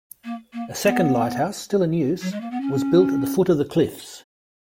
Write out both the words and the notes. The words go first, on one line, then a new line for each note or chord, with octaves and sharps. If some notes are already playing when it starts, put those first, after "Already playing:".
A second lighthouse, still in use, was built at the foot of the cliffs.
A#3
A#3
B3
F#3
G#3
A#3
B3
C#4